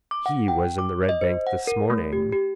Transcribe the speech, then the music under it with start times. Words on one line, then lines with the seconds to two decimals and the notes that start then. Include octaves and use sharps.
He was in the Red Bank this morning.
0.11 D6
0.26 F#5
0.48 G5
0.79 D6
1.09 D#5
1.21 C5
1.47 F#5
1.67 A#4
1.90 A3
2.13 G4
2.32 G4